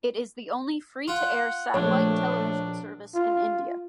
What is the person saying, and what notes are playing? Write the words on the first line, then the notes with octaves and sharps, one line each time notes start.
It is the only free-to-air satellite television service in India.
F4 F#5
A#1 A3 D4 C#5
F4